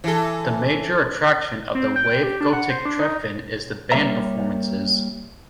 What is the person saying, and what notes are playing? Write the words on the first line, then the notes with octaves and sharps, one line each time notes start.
The major attraction of the Wave-Gotik Treffen is the band performances.
E3 A4
C4
G5
G4
D4
F#5
C5
D4
D#4
G3 A#3 A#4 C#5 E5 A#5